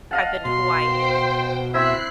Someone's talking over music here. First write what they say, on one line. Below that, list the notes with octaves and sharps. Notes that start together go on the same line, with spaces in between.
I've been to Hawaii,
D#5 F5 F#5 A5
B2 F#4 C6
C5 G5
C4 E4 E5 F#6 C7